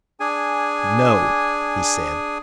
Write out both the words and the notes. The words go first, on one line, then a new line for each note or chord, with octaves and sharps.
"No!" he said.
D4 G#4 G#5